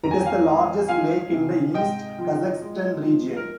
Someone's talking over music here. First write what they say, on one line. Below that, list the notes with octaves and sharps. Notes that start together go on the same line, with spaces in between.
It is the largest lake in the East Kazakhstan Region.
F2 A#5
G#5
G5
F5 G#5
G#3
F3 F5 G#5
C3
G#2 D#5 G5
F3
G#3
F3
A#4